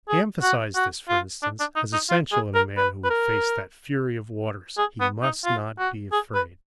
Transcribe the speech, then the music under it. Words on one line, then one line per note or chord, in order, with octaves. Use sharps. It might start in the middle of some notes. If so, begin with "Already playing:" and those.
He emphasized this, for instance, as essential in a man who would face that fury of waters, he must not be afraid.
G#4
F#4
F#4
F4
D4
D4
D#4
D#4
F4
G#4
A#4
B4
B4
A#4
G#4
B3
D#4
F4
F#4
G#4
B4